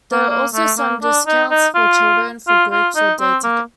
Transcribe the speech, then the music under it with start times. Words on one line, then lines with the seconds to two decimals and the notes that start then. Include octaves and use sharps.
There are also some discounts for children for groups or day tickets.
0.12 A#3
0.30 A#3
0.54 A3
0.78 A#3
1.03 D4
1.27 D#4
1.51 D#4
1.75 F4
2.48 F4
2.72 F4
2.96 D#4
3.20 C4
3.44 A#3